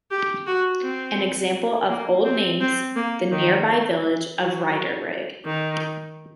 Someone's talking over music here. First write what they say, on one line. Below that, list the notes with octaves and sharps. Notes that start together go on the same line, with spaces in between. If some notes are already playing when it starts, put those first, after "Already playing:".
An example of the old names, the nearby village of Riedering.
G4
F#4
C4
A#3
C4
C4
A#3
D#3
F#3
D#3